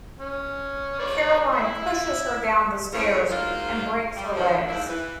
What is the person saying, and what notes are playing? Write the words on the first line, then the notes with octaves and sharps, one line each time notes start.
Caroline pushes her down the stairs and breaks her legs.
C#4
B4 C#5 D5
E4 E5
A2 D3 E3 F3 C#4 G#4
G#2 F#3 A#3 F4
G3
D3 D#3 F3
G#2 A3 A#3 E4
E3